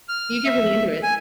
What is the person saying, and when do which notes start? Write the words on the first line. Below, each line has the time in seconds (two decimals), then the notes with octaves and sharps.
you get really into it.
0.09 F6
0.45 E5
1.03 G#5